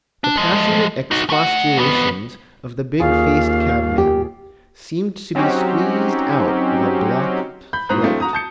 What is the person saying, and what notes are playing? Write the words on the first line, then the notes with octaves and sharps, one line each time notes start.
The passionate expostulations of the big-faced cabman seemed to be squeezed out of a blocked throat.
D4
F3 G#3
D#4 F#4
A3 F#5
F2 B3
D#2 C#4 F4 G#4 F5
G4
F#3 C4 C#4 D#4 F#4 G4
B5 G6
G#2 E3 C5 A#5 D#6 F#6
F#3 A3 C4 D4 E4 F5
F#4 A#5 D#6
A5 G6 C#7